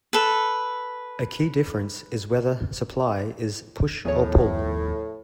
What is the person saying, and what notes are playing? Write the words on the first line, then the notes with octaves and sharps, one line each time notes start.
A key difference is whether supply is 'push' or 'pull'.
A4 B4
D#2 A2 F3 B3 G#4 C#5